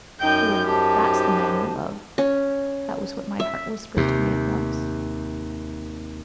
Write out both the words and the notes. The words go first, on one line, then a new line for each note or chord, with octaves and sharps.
'Fool! that's the man you love!' That was what my heart whispered to me at once.
F#2 D#4 G5 G6
D#4 F#4 G4 C5 A5
C#4
E5
D#2 C3